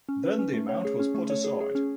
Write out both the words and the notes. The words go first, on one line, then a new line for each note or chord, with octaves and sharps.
Then the amount was put aside.
C#4
B4
C#4
A3
C#5
G#4
C#4
A3
C#5
G#4
G#4
C#4